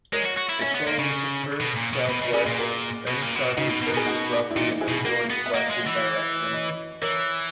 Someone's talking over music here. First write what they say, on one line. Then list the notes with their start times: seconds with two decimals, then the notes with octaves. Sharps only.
It flows first south-west, then sharply turns roughly in the north-western direction.
0.13 G#3 A#4 C#5
0.25 F#4
0.37 F#4
0.49 E4
0.61 C#4 C#5 E5
0.74 B3
0.87 A#3
0.99 C#3
1.60 B2
1.76 A#2
1.94 B2
2.09 B2 B4 D#5
2.22 C#3
2.34 C#3 G#4 B4
2.46 A#2
2.58 F#4 A#4
3.08 B2
3.22 A#2
3.36 B2
3.57 C#3 D#4 F#4
3.69 B2
3.82 B2
3.87 A#4
3.94 B2 G#4
4.06 D#4 F#4
4.51 E4
4.56 A#2 D#4 F#4
4.81 E4 G#4
4.88 B2
5.05 A#3 F#4 A#4
5.30 B3
5.46 E5
5.54 A#3 D#5 F#5
5.70 G#3
5.87 E3
6.44 C#5
6.53 B4 D#5
7.02 E3 A#4 C#5